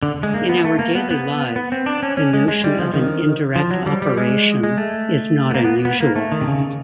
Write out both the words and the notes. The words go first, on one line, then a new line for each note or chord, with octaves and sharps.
In our daily lives the notion of an "indirect operation" is not unusual.
D3
G#3
A#3
B3
A3
A#3
B3
B3
B3
C4
D4
C#4
C#4
G#3
G#3
G3
F3
D#3
F3
F#3
G3
G3
G#3
G#3
A3
B3
A#3
B3
B3
A#3
A3
D#3
C3
C#3